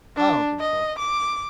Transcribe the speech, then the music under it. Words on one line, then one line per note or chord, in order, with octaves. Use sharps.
I don't think so,
D4
D#5
D6